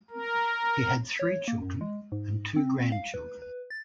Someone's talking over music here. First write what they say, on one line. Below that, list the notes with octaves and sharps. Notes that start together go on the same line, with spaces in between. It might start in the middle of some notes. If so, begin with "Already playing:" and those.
He had three children and two grandchildren.
A#4
C#5
A#3
F#2
G#3
G#2
C4
F5
B4
B4
A6